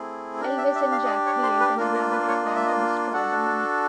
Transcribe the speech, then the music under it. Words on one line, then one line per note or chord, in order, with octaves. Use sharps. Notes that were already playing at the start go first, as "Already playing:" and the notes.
Elvis and Jack create an elaborate plan to destroy the mummy.
Already playing: A3 C4 E4 G#4
D4 G4 A#4
E5
E5
F5
D#5
D5
C#5
C5
B4
A#3 D4 F4 A#4
A#4
B4
C#5
D#5
E5
D#5
D4 F#4 A4 F#5